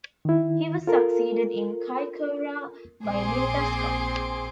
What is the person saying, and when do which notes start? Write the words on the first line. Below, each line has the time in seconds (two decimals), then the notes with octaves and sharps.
He was succeeded in Kaikoura by Lynda Scott.
0.25 D#3 E4
0.87 F4 A4 A#4
3.06 A#1 C4 G#4 C6 D6